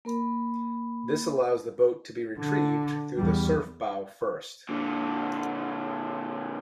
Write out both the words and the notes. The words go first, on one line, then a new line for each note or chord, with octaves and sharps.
This allows the boat to be retrieved through the surf bow first.
A#3 A#4 B5
D3
E2 G3
A#2 D3